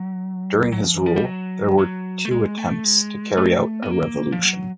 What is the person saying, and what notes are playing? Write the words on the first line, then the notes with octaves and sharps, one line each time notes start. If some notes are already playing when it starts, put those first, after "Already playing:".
During his rule there were two attempts to carry out a revolution.
Already playing: F#3
F#3
F3
E3
F3
G3
F#3
F#3
A3
G#3
A3
G#3
A3
B3
A#3
F3
F#3